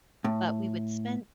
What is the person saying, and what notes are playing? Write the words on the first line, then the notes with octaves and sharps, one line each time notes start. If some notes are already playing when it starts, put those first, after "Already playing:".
but we would spend
A2